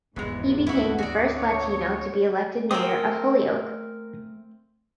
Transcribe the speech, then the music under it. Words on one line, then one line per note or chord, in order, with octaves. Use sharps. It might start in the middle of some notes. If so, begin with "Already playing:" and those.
He became the first Latino to be elected mayor of Holyoke.
F1 E2 G#2 E3 G#3 B3
D2 E4 F#4
D2 F#4 D5
C#5
A3 A#3 C4 A#4 G#5 D#6